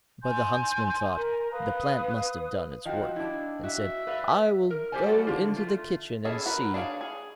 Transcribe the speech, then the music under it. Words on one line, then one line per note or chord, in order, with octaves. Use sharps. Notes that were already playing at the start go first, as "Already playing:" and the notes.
But the Huntsman thought: 'The plant must have done its work,' and said: 'I will go into the kitchen and see.'
G#5 C6 G6
A#4
B4 F5 D#6
F3 F#4 D#5 F5 G5
D4 E4
F#4 E5
B4 D5 F5
A#4
G4 A4 C5 D5 G#5
G3 A3 F#4 A4 D5
D3 F3 F4
A3 F4
B3 C#4 E4 G#4 A4
F#4 A#4 B4
D4 G#4 C#5 F5
G#4